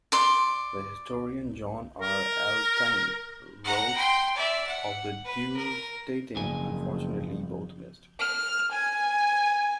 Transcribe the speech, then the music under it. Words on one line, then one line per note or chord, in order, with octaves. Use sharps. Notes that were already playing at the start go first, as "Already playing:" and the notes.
The historian John R. Elting wrote of the duel, stating, Unfortunately, both missed.
D5 C6
A#4
F#5 A#5
G5 C6
D5 E5
F#5
B4
A#4
F#1 F2 G#5
F6
G#5